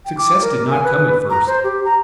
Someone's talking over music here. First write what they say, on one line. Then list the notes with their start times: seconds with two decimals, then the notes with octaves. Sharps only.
Success did not come at first.
0.06 G5
0.17 D6
0.42 A#4
0.70 G#5
0.84 B4
1.30 A#5
1.47 C5
1.64 G4
1.85 A#5